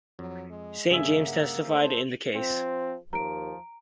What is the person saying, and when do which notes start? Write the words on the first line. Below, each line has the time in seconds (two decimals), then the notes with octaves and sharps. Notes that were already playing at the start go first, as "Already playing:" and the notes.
Saint James testified in the case.
0.19 F2 F#3
0.51 G#3
0.91 G2 C#3 G#3 A#3 G#4 E5
1.28 F#5
1.69 A3 A4 C5
2.35 F3 C4
3.13 D#2 F3 A#5 D7